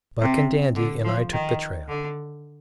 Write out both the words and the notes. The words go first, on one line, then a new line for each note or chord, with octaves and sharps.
Buck and Dandy and I took the trail.
C3
D3
F3
D#3
D3